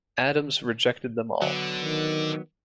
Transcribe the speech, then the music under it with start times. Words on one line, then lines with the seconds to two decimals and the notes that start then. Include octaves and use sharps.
Adams rejected them all.
1.42 D3 F#3 B3
1.82 D#3